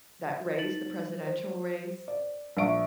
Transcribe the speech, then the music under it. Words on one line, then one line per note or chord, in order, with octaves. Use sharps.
that race the presidential race
D#4 A6 F#7
C5
D5
A#1 D5 E5 C#6 D7